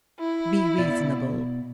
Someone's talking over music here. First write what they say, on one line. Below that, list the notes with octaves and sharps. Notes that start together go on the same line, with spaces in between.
Be reasonable.
E4
B2 D5